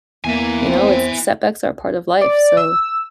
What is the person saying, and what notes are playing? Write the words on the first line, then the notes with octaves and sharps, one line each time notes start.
You know? It's setbacks are part of life, so
E2 A#3 E5 G#5
C4
D5
E6